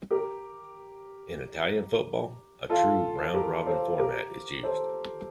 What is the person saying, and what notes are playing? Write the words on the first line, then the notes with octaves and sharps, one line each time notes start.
In Italian football, a true round-robin format is used.
G4 A#4
F4 A4
G4 A#4
A4 C5
G4 A#4
A4 C5